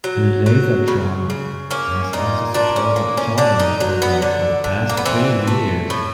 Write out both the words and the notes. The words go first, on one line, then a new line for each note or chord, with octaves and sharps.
LaserTron has also supported a tournament program for the past three years.
F#3
F#3
C#3
C#3
A#3 C#4
A#2 D#4
A#2 D4
C#4
A#3
C#4
D3 D4
D#4
F#3
B3
D3
D3
A#3
B3
E3 C4
A3
A2